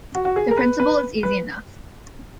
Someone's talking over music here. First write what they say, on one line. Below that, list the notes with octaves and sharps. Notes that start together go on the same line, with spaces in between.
The principle is easy enough.
F#4
F#4
G#4
A#4
B4
B4
B4